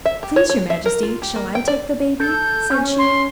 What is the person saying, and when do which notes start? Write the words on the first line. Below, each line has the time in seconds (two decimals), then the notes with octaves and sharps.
"Please, your Majesty, shall I take the baby?" said she.
0.06 E5
0.23 G4
0.36 C#5
0.50 C#5
0.70 E5
0.86 A#4
1.03 F4
1.22 G4
1.36 A#3
1.55 G5
1.68 D5
2.20 A4 G6
2.70 C#4
2.98 C6